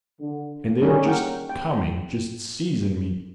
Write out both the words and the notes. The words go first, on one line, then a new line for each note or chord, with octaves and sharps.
And they are just coming, just seizing me.
D3
G3 C#4 D#4 F#4 G#4
A#3 A#4 F#5 G5
G5